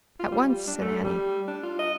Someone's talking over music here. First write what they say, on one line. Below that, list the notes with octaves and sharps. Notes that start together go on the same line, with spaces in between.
"At once," said Annie.
F4
G3
G3
D4
A3
G3
D4
F4
D#5